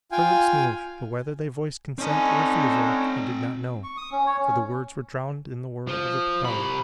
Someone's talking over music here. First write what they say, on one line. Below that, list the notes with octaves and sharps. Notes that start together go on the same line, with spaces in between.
Her lips moved but whether they voiced consent or refusal he did not know, for the words were drowned in the whir of the propeller.
F4 F5 G5 G#5
D3 C4 C#4 D#4 G#5
C#6
D#6
C#4
C#5
C#4
F3
C3 B5